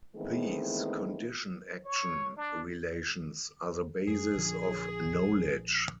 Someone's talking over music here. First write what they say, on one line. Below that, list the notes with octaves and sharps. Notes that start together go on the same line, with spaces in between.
These "condition-action" relations are the basis of knowledge.
D#3 E3 G#3 A3 B3 C4
C#5
D4
F#2 G#4
A#1 D3 F3